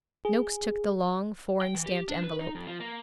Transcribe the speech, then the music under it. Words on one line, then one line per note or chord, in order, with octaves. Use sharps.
Noakes took the long, foreign-stamped envelope.
G#4
G5
E3
G4
D4
B4
D#4
F2
F3
A#3